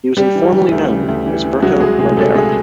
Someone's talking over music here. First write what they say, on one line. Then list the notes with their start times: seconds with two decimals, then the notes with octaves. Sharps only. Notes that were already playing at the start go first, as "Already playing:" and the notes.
He was informally known as Berto Lardera.
0.17 G3 G4
0.35 E3
0.54 E3
0.71 D2
0.90 C#3
1.08 D2
1.26 E3
1.44 E3
1.62 C2 F#3 F#4
1.80 C2 G#3 G#4
1.99 C3 G#3 G#4
2.17 G3 A3 A4
2.35 G3 G#3 G#4